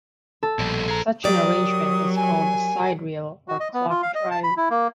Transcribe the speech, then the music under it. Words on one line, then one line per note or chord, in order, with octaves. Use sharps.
Such an arrangement is called a sidereal or clock drive.
A4
A#1 B2 G3
G#4 A#5
F#3 G4 A#4 D5 D#6
G#5
F#4
D#5
B3
F4
F5
D#5
A5
B5
E4
A#3